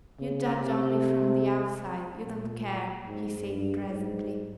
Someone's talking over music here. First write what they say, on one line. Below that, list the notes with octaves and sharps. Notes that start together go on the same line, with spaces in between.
"You judge only from the outside--you don't care," he said presently.
C#3
C3
A#2
G#2
G2
G#2